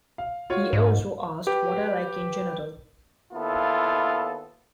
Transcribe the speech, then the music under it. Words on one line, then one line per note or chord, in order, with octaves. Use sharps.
He also asked what I like in general.
F5
F4 F#4 C#5
G#2
G4 B4
D#2 B3 E4 F4 A4